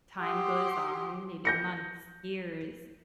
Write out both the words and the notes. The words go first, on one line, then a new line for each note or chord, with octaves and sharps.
time goes on, maybe months, years,
G4 F#5 C6 D#6 E6
G6 A#6 C#7